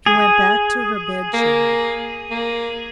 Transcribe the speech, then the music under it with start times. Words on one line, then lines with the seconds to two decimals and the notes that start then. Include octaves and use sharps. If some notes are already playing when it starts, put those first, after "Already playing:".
She went back to her bed-chamber.
0.06 G#4
1.34 A#3
2.31 A#3